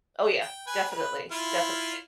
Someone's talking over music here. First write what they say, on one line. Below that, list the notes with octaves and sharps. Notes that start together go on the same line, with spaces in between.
Oh, yeah. Definitely. Definitely.
G5
B4 G#5
B4
E4 F4 F6